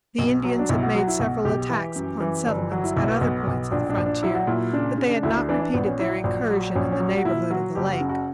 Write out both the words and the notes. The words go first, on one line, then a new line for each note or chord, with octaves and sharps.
The Indians had made several attacks upon settlements at other points of the frontier, but they had not repeated their incursion in the neighborhood of the lake.
B1
F#3
D4
B1 E4
F#4
F#3 F#4
E4
B1 F#4
B1 G4
E3
F#2
E3
G1
F#3 F#4
E4
B1 E4
B3
B1
B1
A#1 D4
D4
A#1
D4
F#3 E4
F#4
A#2 E4
C#3 D4
C#3
D4
D2 E4
D4
E3 D4
D4
A#1 B3
C#4
F#3 E4
A#1
F#3
A#1 C#4
C#4
F#3
F#4
A#2 E4
F#3 F#4
F#1 G4
F#4
C#3
F#4